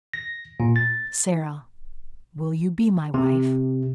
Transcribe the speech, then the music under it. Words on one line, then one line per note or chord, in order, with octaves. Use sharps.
"Sara, will you be my wife?"
A#6
A#2
A6
C3